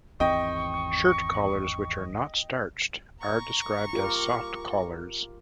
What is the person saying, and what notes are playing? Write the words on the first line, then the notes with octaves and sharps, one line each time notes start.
Shirt collars which are not starched are described as "soft collars".
G#1 E2 C4 D#5 G5 C#6
A#5 C#6
F4 G4 A#4